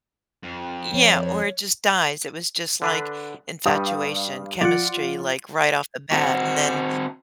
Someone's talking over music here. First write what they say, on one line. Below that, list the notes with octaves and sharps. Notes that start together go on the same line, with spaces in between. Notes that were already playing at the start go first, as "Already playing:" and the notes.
Yeah, or it just dies, it was just, like, infatuation, chemistry, like, right off the bat, and then
F2
F3 C#5
D3 D4 B4
G2 G3 F5 D#6
F3 F4 D5 F#5
C4 F#4